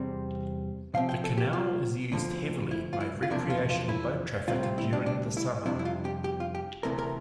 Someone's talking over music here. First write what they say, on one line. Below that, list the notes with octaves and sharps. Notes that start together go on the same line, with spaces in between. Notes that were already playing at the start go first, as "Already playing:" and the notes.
The canal is used heavily by recreational boat traffic during the summer.
Already playing: E2 C3 G3 C4
C3 F3 C4 F5
G5
A4
G4
F4
D2 D3 F3
E4
F4
E4
F4
E2 C3 F3 A#3 D4 E4
F4
F4
E4
D2 C3 G3 C4 F4
F4
E4
D4
D4
E4
F2 C3 G3 D4 E4
E4
F4
G4
G4
F4
G4
D2 C3 E3 A3 A#4
A#4